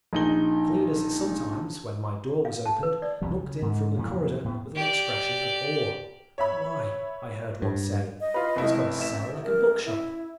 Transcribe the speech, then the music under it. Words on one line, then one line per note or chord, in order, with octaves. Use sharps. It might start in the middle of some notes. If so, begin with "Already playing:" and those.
Cleaners sometimes, when my door was opened, looked in from the corridor with an expression of awe. "Why," I heard one say, "he's got a cell like a bookshop."
A#1 D#4 G7
F5
A5
B4
D5
C2 F2 C3 G3
C#3
G#2
F2 A#2 C#3 E3
A2 B3
G4 D5
C#5 E5 B5
G2
D#5
F4 B4
F1 E4
A1 E5 E7
A#4
E4